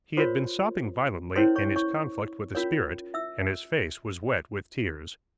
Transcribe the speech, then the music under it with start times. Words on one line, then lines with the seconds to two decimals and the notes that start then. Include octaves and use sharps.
He had been sobbing violently in his conflict with the Spirit, and his face was wet with tears.
0.17 F4 A#4 C5 C#5 C6
1.36 C#4 E4 A#4 C5 C#5 C6
1.56 C#5 C#6
1.76 C#5 C#6
2.55 C#4 F4 A#4 C#5
3.14 E5 E6